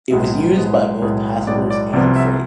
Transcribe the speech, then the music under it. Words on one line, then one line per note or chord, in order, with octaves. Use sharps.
It was used by both passengers and freight.
B1 A2 G#3 B3 E5
B1 A2 G#3 B3 C5
B1 A2 G#3 B3
B1 A2 G#3 B3 D5
D5
C2 C3 F3 B3 D5
E5